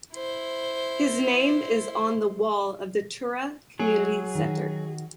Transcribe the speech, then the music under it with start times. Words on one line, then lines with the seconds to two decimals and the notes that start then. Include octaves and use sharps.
His name is on the wall of the Tura Community Centre.
0.15 E4 C5
3.80 F#3 G#4
4.35 D#3 F#4